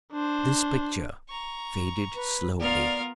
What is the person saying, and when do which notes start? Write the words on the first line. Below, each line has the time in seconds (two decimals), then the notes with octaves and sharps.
This picture faded slowly.
0.12 D4 C5
1.29 A#5 C#6
2.15 B4
2.60 B3 F4 A#4 D5 F5 F6